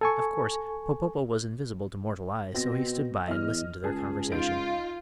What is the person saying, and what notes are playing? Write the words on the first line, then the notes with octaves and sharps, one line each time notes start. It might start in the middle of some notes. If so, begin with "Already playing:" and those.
Of course Popopo was invisible to mortal eyes, so he stood by and listened to their conversation.
A4 G#5 C#6
B2 C4 A#6
E2 D#5 F6
C#2 G#4 A5
D#4 F4 G6 D7